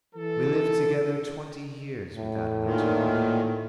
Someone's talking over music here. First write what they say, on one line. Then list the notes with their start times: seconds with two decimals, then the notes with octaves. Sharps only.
We lived together twenty years, without any children.
0.15 E3 A4
2.16 A2
2.64 A#2 D#3